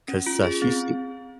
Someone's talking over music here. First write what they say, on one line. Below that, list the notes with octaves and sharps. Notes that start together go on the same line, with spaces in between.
'cause, uh, she seem
C#4
F4
G#4
C4